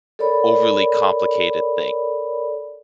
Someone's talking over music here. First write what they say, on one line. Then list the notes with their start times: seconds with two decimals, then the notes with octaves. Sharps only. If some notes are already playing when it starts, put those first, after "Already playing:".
overly complicated thing.
0.19 A4 A#4 C#5 D5 B5